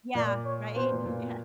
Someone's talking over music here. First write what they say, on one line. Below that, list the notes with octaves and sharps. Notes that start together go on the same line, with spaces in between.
Yeah. Right, yeah
A#2 A#3 D5
C#5
B2 B3 C5
A#2 A#3
A#2 A#3